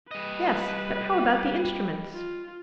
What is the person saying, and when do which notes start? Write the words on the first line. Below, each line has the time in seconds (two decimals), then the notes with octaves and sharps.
"Yes, but how about the instruments?"
0.11 G3 B4 D#5
2.13 F4